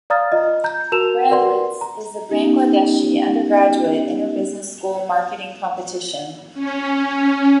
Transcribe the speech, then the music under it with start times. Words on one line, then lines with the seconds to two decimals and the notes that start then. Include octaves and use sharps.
Brandwitz is a Bangladeshi undergraduate inter-business school marketing competition.
0.10 D5 F5 A#5 D#6 F6 A6
0.32 F4 D#5
0.64 A#5 G6
0.92 F#4 A#4 A5 E7 F7
1.29 F#4 A#4 B4 D5 F#5 C6
1.81 A#5
2.29 B3 C#4 D#4 G4
6.54 C#4